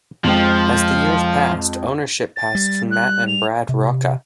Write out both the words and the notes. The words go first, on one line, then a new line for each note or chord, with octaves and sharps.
As the years passed, ownership passed to Matt and Brad Rocca.
F2 F3 G#3 G5
A6
G3
F#6
F7
C3